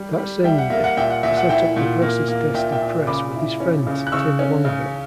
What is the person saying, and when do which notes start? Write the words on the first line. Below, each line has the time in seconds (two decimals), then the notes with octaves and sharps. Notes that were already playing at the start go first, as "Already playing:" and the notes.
That same year, he set up the Grosseteste Press with his friend Tim Longville.
Already playing: G3
0.18 G3
0.44 G3 E5 G5
0.58 F#5
0.70 A#3 E5
0.84 F#5
0.97 A#2 E5 G5
1.10 F#5
1.23 A#2 E5
1.37 F#5
1.49 E4 E5 G5
1.76 A#2
2.02 A#3
2.28 A#3
2.54 A#2 E5 G5
2.72 E5 G5
2.82 A#2
3.07 C#3 B5 D6
3.34 E4
3.60 C#4
3.87 C#3
4.07 F#6
4.12 C#3 C#6 E6
4.39 C#4
4.65 C#3